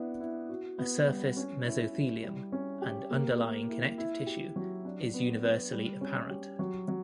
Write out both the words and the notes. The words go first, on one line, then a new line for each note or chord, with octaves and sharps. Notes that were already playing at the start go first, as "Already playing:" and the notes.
A surface mesothelium and underlying connective tissue is universally apparent.
Already playing: B3 D4 E4
E4
F#4
B3
G3
C#4
E4
E4
G3
C#4
G4
A#3
A#3
E4
E4
G4
F#3
D4
B3
B3
G3
C#4
G4
F#3
F#3